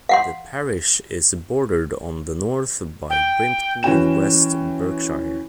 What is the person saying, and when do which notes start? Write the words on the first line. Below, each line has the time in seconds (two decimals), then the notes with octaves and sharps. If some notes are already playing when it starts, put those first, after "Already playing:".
The parish is bordered on the north by Brimpton in West Berkshire.
0.09 F5 F#5 C6
3.10 G5
3.83 E3 C#4 F#4 G5 E7